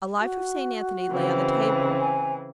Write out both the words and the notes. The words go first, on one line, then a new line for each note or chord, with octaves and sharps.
A life of St. Anthony lay on the table.
F#4
C#3 E3 C4
G#5